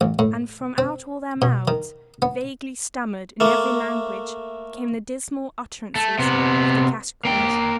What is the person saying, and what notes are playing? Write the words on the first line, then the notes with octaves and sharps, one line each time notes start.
And from out all their mouths, vaguely stammered in every language, came the dismal utterances of the catacombs.
A1
A2
C4
B2
D#3
B3
A3 A#3
A3
C3 B3
A#3 G5